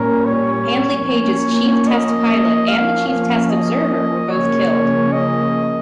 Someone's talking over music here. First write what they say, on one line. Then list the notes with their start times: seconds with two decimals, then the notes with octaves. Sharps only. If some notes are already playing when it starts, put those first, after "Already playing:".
Handley Page's chief test pilot and the chief test observer were both killed.
Already playing: A#2 G3 A#3 C#4 A#4
0.25 C#5
1.06 F3 A#3 C#4
1.88 D#5
2.68 F3 A#3 C#4 F5
3.09 F5
3.50 D#5
4.30 C#3 F3 A#3 C#4 C#5
5.13 D#5